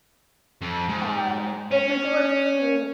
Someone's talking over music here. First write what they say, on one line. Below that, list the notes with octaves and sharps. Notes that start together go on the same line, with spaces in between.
uh, if my goal is to
F2
G#2
C#4